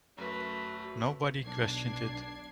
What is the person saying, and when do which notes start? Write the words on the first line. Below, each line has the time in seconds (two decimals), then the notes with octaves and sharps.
Nobody questioned it.
0.18 F#2 A3 F#4 B4
1.43 B1 D4 G#6 C7